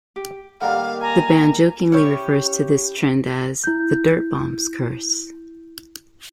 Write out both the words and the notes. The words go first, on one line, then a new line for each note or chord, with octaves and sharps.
The band jokingly refers to this trend as "The Dirtbombs Curse".
G4
D#3 G3 A#3 A4 A#4 F5 F#5
G#5 A#5
C#4 E4 G4 C#5
E4 G6